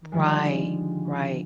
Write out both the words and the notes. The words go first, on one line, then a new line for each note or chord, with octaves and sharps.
Right, right,
D3 D#3 F3 G3 G#3